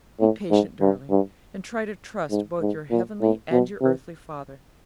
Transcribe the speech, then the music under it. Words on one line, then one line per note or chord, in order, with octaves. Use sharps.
Be patient, darling, and try to trust both your heavenly and your earthly father.
A2
G#2
G2
G2
G#2
G#2
A#2
A2
B2
C3